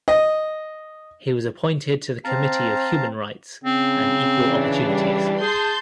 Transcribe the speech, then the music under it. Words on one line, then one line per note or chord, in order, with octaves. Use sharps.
He was appointed to the committee of human rights and equal opportunities.
D#5
C4 F5 A5 A#5
C#3 C4
E3 D4
G3
G#4 A5 C6 G6